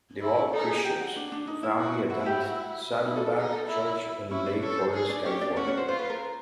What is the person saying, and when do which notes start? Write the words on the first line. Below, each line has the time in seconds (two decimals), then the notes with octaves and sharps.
Devout Christians, the family attends Saddleback Church in Lake Forest, California.
0.22 E4
0.37 C#4 C#5
0.52 D#4 A4
0.63 G#4
0.74 G#4
0.84 G4
1.00 F#4
1.16 D4
1.32 D4
1.47 D#4
1.63 E4
1.79 F#4
2.10 E4 F#4
2.26 G4
2.42 F#4
3.05 D#4 E4
3.16 A4
3.26 A4
3.36 D#4 G#4
3.52 A4
3.67 E4
4.30 C#4 E4 C#5
4.46 D4 D5
4.62 C#4 A4 C#5
4.78 C5
4.94 G#4
5.09 D4 D5
5.25 C#4 G4 C#5
5.41 D4 D5
5.56 C#4 F#4 C#5
5.67 C#4 C#5
5.77 C5
5.88 F4 C5
5.99 B4
6.10 A#4